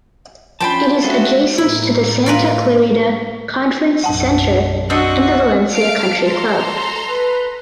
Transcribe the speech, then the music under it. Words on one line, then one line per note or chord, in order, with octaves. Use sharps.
It is adjacent to the Santa Clarita Conference Center and the Valencia Country Club.
C#4 D4 F4 C5 G5 A5 B5
G#3 F#4 G#4 A4 E5 F#5
A2 A#3 E4
F4 A#4 B4
B1 F#2 F#5 A5
C4 D4 F#4 D#5 E6 C#7
F5 A5 F6 D7
A4 A#5 C6
B4